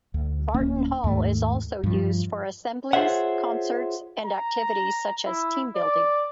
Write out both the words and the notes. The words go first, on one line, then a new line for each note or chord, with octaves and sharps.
Barton Hall is also used for assemblies, concerts and activities such as team building.
D2
D1 A#3 C#4
D#2 G#2 A3
G2 F3
F4 G#4 C5 C#5 E5 F#5
A#5
E4
D5